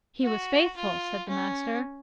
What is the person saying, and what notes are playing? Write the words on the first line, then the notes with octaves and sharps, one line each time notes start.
He was faithful, said the Master.
F#4
F4
C#4